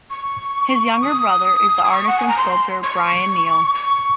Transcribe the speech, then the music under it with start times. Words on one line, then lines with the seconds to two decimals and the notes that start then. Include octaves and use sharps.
His younger brother is the artist and sculptor Bryan Kneale.
0.10 C#6
1.02 D#6
1.85 D#6
1.91 C#6
2.07 F#5
2.18 G#5
2.28 A#5
2.37 C6
2.84 C#6
3.74 C#6